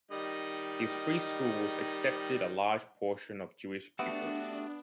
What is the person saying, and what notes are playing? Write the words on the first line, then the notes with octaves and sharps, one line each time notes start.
His Free Schools accepted a large portion of Jewish pupils.
D#3 G3 D#5
A3 B3 D4 F#4 G4 E5